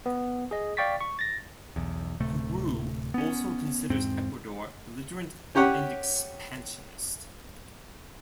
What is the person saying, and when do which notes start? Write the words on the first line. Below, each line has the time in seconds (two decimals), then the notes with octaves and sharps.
Peru also considers Ecuador belligerent and expansionist.
0.06 B3
0.51 G#4 D#5
0.77 D5 F5 G5 C#6 A6 B6
1.01 C#6
1.19 A6 A#6
1.76 B1 E2
2.20 D1 C3 A3
3.14 B3 C#4
3.90 E2 G#2 C4
5.55 C#4 G4 C#5 F#5